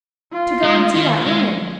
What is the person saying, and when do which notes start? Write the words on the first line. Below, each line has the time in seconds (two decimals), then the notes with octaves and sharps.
"To go and see that woman."
0.32 F4
0.63 G#3
0.95 D#3
1.26 G#3